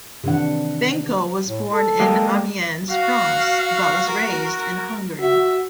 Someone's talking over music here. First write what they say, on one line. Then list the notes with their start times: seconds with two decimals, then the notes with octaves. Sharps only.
Benko was born in Amiens, France, but was raised in Hungary.
0.24 C3 D#3 E3 D4 F#5
1.46 A2
1.72 A4
2.00 G#3 A#3 G4
2.28 G3
2.90 F#4 F5
4.08 A#4
5.20 F#4 E5